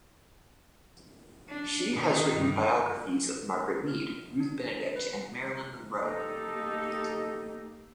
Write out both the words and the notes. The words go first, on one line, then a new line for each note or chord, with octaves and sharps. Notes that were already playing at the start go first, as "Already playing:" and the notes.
She has written biographies of Margaret Mead, Ruth Benedict and Marilyn Monroe.
D4
B2 D#3
G2
F6
D4
B4
A#3 D#4 G4 A4